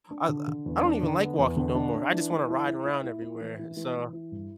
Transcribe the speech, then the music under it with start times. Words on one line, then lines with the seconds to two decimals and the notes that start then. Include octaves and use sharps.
I, uh, I don't even like walking no more, I just wanna ride around everywhere, so
0.11 D4
0.29 D3
0.48 D3
0.66 E2
0.84 D4
1.02 D3
1.20 B3
1.39 E2
1.56 D3
1.75 D4
1.94 D4
2.12 E3
2.30 E3
2.48 E4
2.67 E4
2.85 E4
3.04 E4
3.22 E4
3.41 E3
3.59 E3
3.77 E3
3.95 E3
4.13 E4
4.32 G2